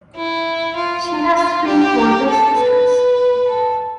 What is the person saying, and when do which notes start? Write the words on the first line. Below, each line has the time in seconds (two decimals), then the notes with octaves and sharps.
She has three older sisters.
0.16 E4
0.76 F4
1.06 F4
1.36 F4
1.67 G4
2.27 A4
2.57 B4
3.47 A4